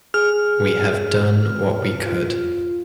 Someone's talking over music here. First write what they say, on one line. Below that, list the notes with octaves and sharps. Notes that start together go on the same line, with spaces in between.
We have done what we could.
G#4 F6
F4